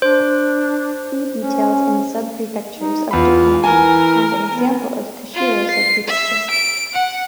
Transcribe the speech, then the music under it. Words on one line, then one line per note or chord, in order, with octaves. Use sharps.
See details in Subprefectures of Japan and an example of Kushiro Subprefecture.
D4 C5
C#4
D#4
E2 F4 B5
E3 A#4 G#5
B3
F4
C7
E5
D7
F#5